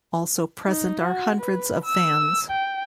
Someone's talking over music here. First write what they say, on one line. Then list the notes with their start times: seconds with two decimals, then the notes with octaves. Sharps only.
Also present are hundreds of fans.
0.65 D#4
1.02 F#4
1.40 B4
1.84 E6
2.50 G5